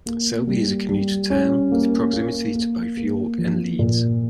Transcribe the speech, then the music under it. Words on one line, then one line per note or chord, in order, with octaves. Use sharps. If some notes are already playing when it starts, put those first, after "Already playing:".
Selby is a commuter town with proximity to both York and Leeds.
A#3
G3
G3
C#4
A#3
A#3
A#3
A#3
F3
A#2